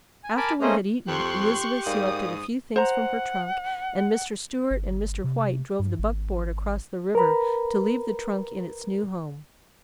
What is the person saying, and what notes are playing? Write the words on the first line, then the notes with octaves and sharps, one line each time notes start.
After we had eaten, Elizabeth selected a few things from her trunk, and Mr. Stewart and Mr. White drove the buckboard across the river to leave the trunk in its new home.
G#5
A#4 G#5 A5 B5 D6
A3 A#3 C#4 G#4 C5 D#5
F2 G4 C6 C#6 F#6
G#2 A#4 D5 F5 D#6
C5 F#5 A#5
G1
C3
G2
G#1
A#4 B4 A#5 B5